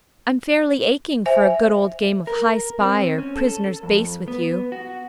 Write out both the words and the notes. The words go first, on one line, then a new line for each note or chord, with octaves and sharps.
I'm fairly aching for a good old game of hi spy or prisoner's base with you.
C5 E5 G#5
A#4
C4
C#4
A4
F2
B3
F#4